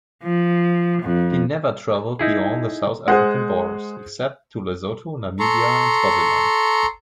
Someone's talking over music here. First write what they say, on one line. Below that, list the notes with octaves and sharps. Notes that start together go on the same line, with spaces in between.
He never travelled beyond the South African borders, except to Lesotho, Namibia and Swaziland.
F3
F2
D#4 E4 G#4
G#3 G#4 C5 F#5
A4 A#5 C6 C#6